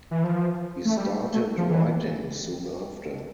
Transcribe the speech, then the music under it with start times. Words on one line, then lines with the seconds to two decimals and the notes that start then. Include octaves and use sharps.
He started writing soon after.
0.11 E3
0.24 F3
0.85 A3
0.97 G3
1.34 A3
1.58 F3
1.70 E3